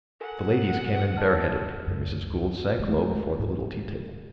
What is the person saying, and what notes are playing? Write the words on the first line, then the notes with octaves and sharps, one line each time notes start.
The ladies came in bareheaded, and Mrs. Gould sank low before the little tea-table.
A4 A#4 F#5 G#5
D#5 A5 F6
C#2 F#2
G#3 A3
G#2